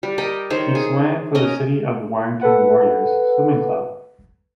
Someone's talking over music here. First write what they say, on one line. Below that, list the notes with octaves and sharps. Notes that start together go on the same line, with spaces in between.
He swan for the City of Warrington Warriors Swimming Club.
G3
G4 A#4 D#5
D#3 C5 C#5
G#4
C#4 A#4 D#5
A4 B4 F#5